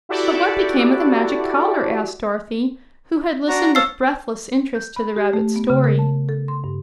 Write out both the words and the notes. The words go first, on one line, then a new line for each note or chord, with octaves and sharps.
"But what became of the magic collar?" asked Dorothy, who had listened with breathless interest to the rabbit's story.
E4 F#4 G4 A4 D5
D4 F#4 A#5
C#5 F5 A5 E6 C7
G6
B5
G4
A3
B3
C#3
A#4
A5
A4
C6
G2